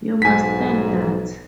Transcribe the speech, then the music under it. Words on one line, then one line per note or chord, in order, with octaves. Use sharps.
You must stand that!
B1 G#2 G#5 B6